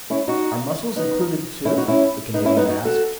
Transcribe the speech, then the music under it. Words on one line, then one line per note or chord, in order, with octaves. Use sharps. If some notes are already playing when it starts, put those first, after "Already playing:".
"Are mussels included too?" the Canadian asked.
C#4 E4
D#4 F#4
B3 D#4
C#4 E4
D#4 F#4
C#4 E4
B3 D#4
C#4 E4
B3 D#4
D#4 F#4
F#4 A4